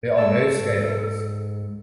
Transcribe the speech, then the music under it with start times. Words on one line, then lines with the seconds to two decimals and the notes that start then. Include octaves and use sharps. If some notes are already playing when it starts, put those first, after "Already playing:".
There are no scales.
0.18 A4 C#5 A5 E6
0.56 G#2